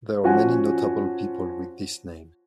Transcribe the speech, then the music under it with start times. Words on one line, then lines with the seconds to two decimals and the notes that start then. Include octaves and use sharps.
There are many notable people with this name.
0.24 F3 C#4 F4 F#4 F#5 G#5